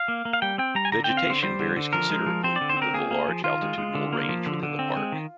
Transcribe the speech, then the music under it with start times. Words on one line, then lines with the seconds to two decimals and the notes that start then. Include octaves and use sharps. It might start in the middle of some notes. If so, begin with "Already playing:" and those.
Vegetation varies considerably due to the large altitudinal range within the park.
Already playing: F5
0.08 A#3
0.25 A#3
0.33 F5
0.42 G3 G5
0.58 C4 G5
0.75 G3 A#5
0.85 G#5
0.92 D3 A#5
1.04 G5
1.10 C4
1.17 F5
1.26 D3 C5
1.43 G3 C5
1.59 D3
1.77 D3
1.93 F3 A#4
2.10 G#3
2.26 F3
2.43 C4 C5
2.56 D5
2.61 D3
2.69 C5
2.77 C4 A#4
2.94 A#3 G#4
3.11 A#3
3.28 F3
3.44 D#3 F4
3.62 G#3
3.78 G#3
3.95 D3
4.13 A#3
4.29 F3
4.46 D3
4.63 D3
4.79 C4
4.96 G#3
5.12 D#3